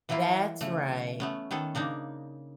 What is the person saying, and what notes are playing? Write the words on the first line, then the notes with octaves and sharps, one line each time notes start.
That's right.
E3 F#3 A#3 E4 F4
C#3 A3
A3 B3 C#4
D#3 B3 C#4 A4
C#3 A#3 D4 D#4